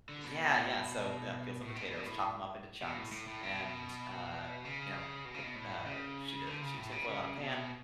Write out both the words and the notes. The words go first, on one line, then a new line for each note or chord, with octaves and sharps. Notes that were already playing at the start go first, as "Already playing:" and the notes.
Yeah, yeah, so, yeah, peel some potatoes, chop 'em up into chunks, and, uh, you know, put, uh, a sheet a sheet of tinfoil on a pan,
D3
B2
A2
B2
B2
A2
B2
A2
A2
A2
B2
C#3
B2
C#3
B2
A2
C#3
D3
C#3
A2
C#3
C#3
B2